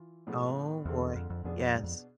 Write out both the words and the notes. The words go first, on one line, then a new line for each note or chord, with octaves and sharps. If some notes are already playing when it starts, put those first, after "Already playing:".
Oh, boy, yes.
Already playing: E3 F4
A2 F3 G#3 B3
E2 D3 G#3 C4
F2
F2
F2 B2 B3 D4 G#4
G#2
F2